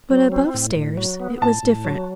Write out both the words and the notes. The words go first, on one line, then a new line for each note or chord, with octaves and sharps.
But above-stairs it was different.
F#3
C4
A2
A2
F#3
B3
A2 A5
A2
F#3